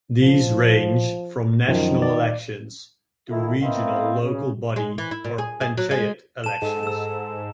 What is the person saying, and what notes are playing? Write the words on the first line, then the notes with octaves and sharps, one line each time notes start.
These range from national elections to regional local body or "panchayat" elections.
F3
F#2 D#3 F3
D5
D#3 E4 F4 A4
B3 C4 E4 A#4 D#5 F5
C#3
G#3
E3
E4
A#2
G#4
G#4
F#3
G#3
A5 E7
G#2 A4
E6 E7